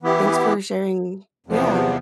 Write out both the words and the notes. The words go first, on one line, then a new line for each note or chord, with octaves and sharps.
thanks for sharing Yeah,
E3 B3 E4 G4
E2 C3 F3 B3